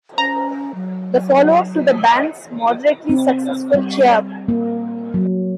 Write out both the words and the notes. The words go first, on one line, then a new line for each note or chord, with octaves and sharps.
The follow-up to the band's moderately successful Cheer Up!
C#4 A#5
F#3
C4
G3
A#3
F#3